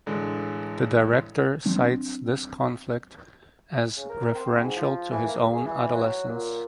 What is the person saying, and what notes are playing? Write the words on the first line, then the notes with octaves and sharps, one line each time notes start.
The director cites this conflict as referential to his own adolescence.
A1 D3 G#3
F#3 C4 D4
C#3
A#4
C4
G#2
F3
E3
A#3
G#4
E3
F#3
A#2